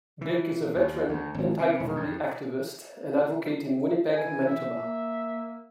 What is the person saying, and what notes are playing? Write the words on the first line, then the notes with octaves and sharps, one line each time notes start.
Dyck is a veteran anti-poverty activist and advocate in Winnipeg, Manitoba.
E3
D#2
D2
G#1
C3
E1
F2
E3 G#5
E5
A#3